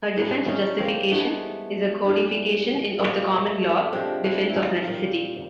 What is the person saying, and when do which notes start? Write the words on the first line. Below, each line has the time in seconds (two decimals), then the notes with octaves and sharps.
A defense of justification is a codification of the common law defense of necessity.
0.16 A2 E3 G3 D4 E4
0.49 C#4 D#4
0.79 A#3 C4
1.11 G2 E3 G#3 A3 B3
2.05 G2 E3 G3
2.99 A#2 G3 G#3 A#3
3.23 G#3
3.47 A3
3.69 A3
3.92 C3 F3 G#3 C4 D4
4.24 D4 E4
4.49 E4
4.55 D#4 F4
4.87 A#2 G3